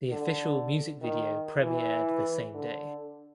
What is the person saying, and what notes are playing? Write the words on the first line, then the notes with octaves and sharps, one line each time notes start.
The official music video premiered the same day.
D3
D#3
E3
D3